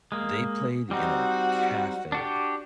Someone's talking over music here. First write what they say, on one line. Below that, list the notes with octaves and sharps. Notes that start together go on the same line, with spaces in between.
they played in a cafe
G#3 A#3
G3 C4 D#4 F#4
D4 F#4 G4